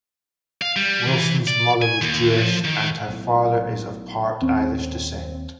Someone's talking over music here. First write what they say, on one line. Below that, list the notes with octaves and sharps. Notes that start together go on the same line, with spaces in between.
Wilson's mother was Jewish, and her father is of part Irish descent.
F5
G3
E3
D5
G#5
D#2
F3
D#3
B1 A2
D#2 C4 C#4